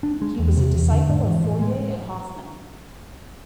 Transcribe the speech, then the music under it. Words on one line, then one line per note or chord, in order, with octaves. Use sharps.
He was a disciple of Fourier and Hoffman.
D4
G#3
E2
C3
E2
D3
G#2
E3
A2
G#3